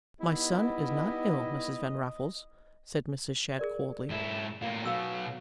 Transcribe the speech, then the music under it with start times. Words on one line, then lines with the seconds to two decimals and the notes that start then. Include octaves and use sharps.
"My son is not ill, Mrs. Van Raffles," said Mrs. Shadd, coldly.
0.21 G3 B3 D#4 E4 D#5
3.59 G#4 A#4 D5
4.10 G#2 E4
4.62 A2 A#3 E4 F5
4.85 B2 F#3 F5 D6 E6